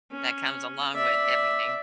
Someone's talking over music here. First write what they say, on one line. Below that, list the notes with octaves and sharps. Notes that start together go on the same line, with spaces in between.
that comes along with everything,
C#4
D5 E5